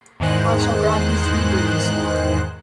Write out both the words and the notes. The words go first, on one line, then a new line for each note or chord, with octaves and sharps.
I shall grant you three boons.
E2 G#2 D#3 G#3 C5 F#6